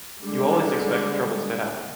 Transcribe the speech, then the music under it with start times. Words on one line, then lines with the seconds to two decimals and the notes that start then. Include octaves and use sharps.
You always expect troubles to happen.
0.20 D3 G3 G#3